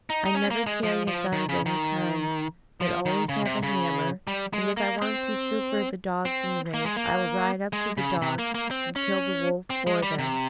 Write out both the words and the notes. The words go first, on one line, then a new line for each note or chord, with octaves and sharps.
I never carry a gun of any kind, but always have a hammer, and if I want to succor the dogs in the race, I will ride up to the dogs and kill the wolf for them.
D#4
D#4
C#4
A#3
G#3
F3
F3
D#3
C#3
D#3
F3
D#3
C#3
C3
C#3
G3
G#3
A#3
C4
C4
A#3
G#3
A#3
G#3
C#3
C3
A#3
A#3
C4
C#4
C4
G#3
G3
C3